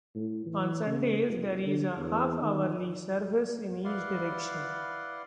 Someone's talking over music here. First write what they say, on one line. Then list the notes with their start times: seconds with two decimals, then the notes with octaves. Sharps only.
On Sundays there is a half-hourly service in each direction.
0.15 A2
0.46 E3
0.86 C#3
1.28 F1
1.66 D3
1.98 E2
2.41 D#3
3.84 E4 B4 D5 F5 F#5 C6